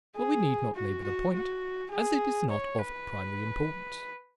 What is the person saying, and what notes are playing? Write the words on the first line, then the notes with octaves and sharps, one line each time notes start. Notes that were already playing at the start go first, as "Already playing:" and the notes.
But we need not labour the point, as it is not of primary importance.
G#4
F#4
F#4
F#4
G#4
C#5
B4